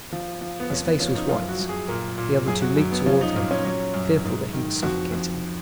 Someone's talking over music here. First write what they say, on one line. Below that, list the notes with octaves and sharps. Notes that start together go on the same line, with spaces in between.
His face was white; the other two leaped toward him, fearful that he was suffocating.
F3
F3
B3
F2 C#4
B3
F3 C#4
D#4
F#2 F4
F#4
F#2
G#4
A#2 A#4
A#2
F#2 G#4
F#4
F#2
B3
F3 C#4
D#4
A#2 F4
C#4
F#3
F#2
G#2
D#3
F2 F#4
F2